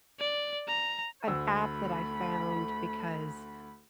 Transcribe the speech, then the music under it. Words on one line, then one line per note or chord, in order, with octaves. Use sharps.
an app that I found because
D5
A#5
D2 A3 B5 E6